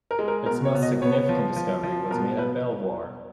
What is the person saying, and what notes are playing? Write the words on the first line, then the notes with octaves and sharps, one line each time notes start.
Its most significant discovery was made at Belvoir.
A#4
G#3
A#4
B2 A#4
C#5
B2
D#5
B3 C#5
F3
F3
F3
B2 A#4
B2 B4